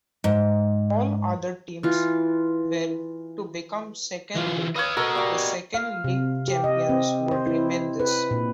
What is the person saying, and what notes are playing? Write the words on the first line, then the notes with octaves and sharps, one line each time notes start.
All other teams were to become second rate; the second league champions would remain this.
G#2
E3 F4
E3 F4
B4 C#5 D#5 F5
F#4 A4 A#4 D#5
G3 A#3
F5
C3
G4
D#5
C4
C5
E4
B4
A#2